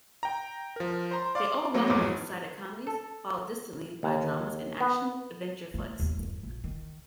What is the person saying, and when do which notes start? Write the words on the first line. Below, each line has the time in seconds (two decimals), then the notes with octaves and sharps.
They overwhelmingly cited comedies, followed distantly by dramas and action adventure flicks.
0.23 G5 A#5
0.76 F3 A#4
1.11 C5 A#5 C6
1.35 D5 F5 C6 D6
1.74 F#3 A3 A#3 C4 F#4
1.87 A1 F2 G#2 F#3 B3 D6
2.87 A4
4.03 D#2
4.81 B3
5.74 A3 A#3
6.00 D#2 B3
6.17 D#1 G2
6.43 A#1
6.64 D#3